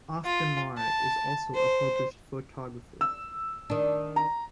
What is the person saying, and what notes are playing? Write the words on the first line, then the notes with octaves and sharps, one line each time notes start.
Auf der Maur is also a published photographer.
F4
A5
C5
E6
D#3 D4
A#5